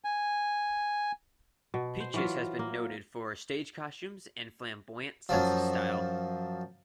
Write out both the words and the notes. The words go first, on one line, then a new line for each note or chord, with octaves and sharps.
Peaches has been noted for her stage costumes and flamboyant sense of style.
G#5
B2
C5
E3 F#3 F4
A#3
F#2 F3